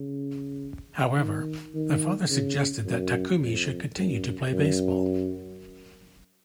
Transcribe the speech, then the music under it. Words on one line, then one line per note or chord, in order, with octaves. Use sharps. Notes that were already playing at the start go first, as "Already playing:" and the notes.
However, the father suggested that Takumi should continue to play baseball.
Already playing: C#3
D#3
D#3
C#3
F#2
F2
F#2
F#2